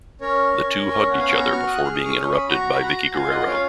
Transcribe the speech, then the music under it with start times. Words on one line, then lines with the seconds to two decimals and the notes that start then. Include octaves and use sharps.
The two hugged each other before being interrupted by Vickie Guerrero.
0.21 C#4 A#4 C#5
0.54 C#4
0.86 C#4
1.10 F#5
1.19 B3 F5 G#5
1.35 A#5 C#6
1.51 F#4 C#6 F6
1.67 D#6 F#6
1.84 G#4 F6
1.94 D#6
2.05 C#6 F6
2.16 C#4 D#6
2.23 C#6
2.32 B5 D#6
2.49 F#4 A#5 C#6
2.74 B5
2.81 F#4 F#5 A#5
3.14 F4 F5 G#5
3.30 D#5 F#5
3.46 C#4 C#5 F5